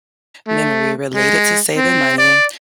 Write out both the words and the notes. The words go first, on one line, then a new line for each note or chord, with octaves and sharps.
memory related to saving money
A3
G#3
C4
D5